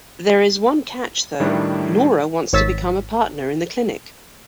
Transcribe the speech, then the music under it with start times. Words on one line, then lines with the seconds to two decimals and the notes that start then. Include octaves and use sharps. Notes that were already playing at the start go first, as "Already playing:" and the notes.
There is one catch, though-Nora wants to become a partner in the clinic.
1.40 A2 D#3 G3 D4 E4
2.53 G#1 C#5 E6 A6 B6